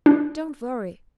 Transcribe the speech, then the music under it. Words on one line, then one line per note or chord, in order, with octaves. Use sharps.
Don't worry!
D4